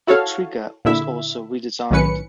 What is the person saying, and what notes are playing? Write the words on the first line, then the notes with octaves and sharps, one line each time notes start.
The trigger was also redesigned.
E4 F#4 A4 C#5 F5
A#2 D3 E4 E5
B1 A2 D#3 C#4 B4 C#7